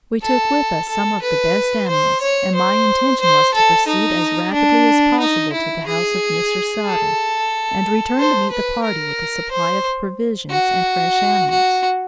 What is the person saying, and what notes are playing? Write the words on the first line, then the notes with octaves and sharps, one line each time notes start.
We took with us some of the best animals, and my intention was to proceed as rapidly as possible to the house of Mr. Sutter, and return to meet the party with a supply of provisions and fresh animals.
A4
A4
B4
C5
C#5
C5
C5
A4
D#4
D4
D#4
E4
G#4
A4
C5
B4
A#4
C5
F#4
F#4